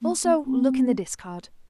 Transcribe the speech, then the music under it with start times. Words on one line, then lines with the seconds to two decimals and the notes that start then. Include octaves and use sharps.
Also look in the discard.
0.02 A#3
0.24 B3
0.46 C4